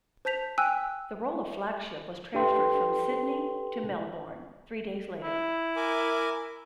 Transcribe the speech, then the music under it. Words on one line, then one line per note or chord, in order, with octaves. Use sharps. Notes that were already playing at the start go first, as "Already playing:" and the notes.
The role of flagship was transferred from "Sydney" to "Melbourne" three days later.
C5 A5 G6 B6 F7
G5 G#5 E6 F#6
D4 G4 A4 B4 G5 C6
E4
A#4 G#5 D6